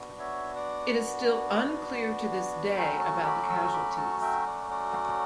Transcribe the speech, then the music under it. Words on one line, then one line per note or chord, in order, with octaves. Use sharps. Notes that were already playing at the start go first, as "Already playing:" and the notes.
It is still unclear to this day about the casualties.
Already playing: B3 D4 F#4
C#5 E5
D5 F#5
F#3 A3 C#4 F#4 G5 B5
A5 C#6
B5 D6
C#6 E6
B5 D6
A5 C#6
E5 G5
D5 F#5
D5 F#5